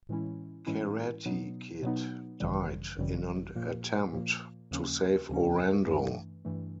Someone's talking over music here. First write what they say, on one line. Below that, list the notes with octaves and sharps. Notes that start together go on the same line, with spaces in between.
Karate Kid died in an attempt to save Orando.
A2 E3 G#3 C#4 E4
A2 E3 G#3 C#4 E4
B2 F#3 B3 D#4
B2 F#3 B3 D#4
G#1 F#2 C#3 E3 G3
G#1 F#2 C#3 E3 G3
A#2 F3 A#3
A#2 F3 A#3
D#2 C#3 F3 A#3 C#4
D#2 C#3 F3 A#3 C#4
G2 E3 A3
G2 E3 A3